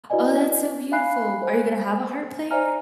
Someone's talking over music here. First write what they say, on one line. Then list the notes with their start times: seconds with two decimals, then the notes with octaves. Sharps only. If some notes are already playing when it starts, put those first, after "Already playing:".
Oh, that's so beautiful. Are you gonna have a harp player?
0.10 E4 F#4 B4 D5 D#5 G#5
0.92 E5 F5 G#5 B5 F#6 C7
1.42 C5 G#5
2.51 C5 D5 E5 G#5 A#5 F6